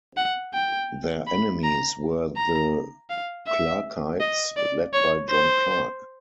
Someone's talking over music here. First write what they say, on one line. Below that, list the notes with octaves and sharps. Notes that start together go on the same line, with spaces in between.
Their enemies were the Clarkites, led by John Clark.
F#5
G5
B5
A#5
A#5
F5
E5
D#5
D5
C#5
C5